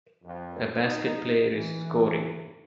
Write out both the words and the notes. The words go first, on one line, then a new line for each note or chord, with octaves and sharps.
A basket player is scoring.
F2
D#4
E3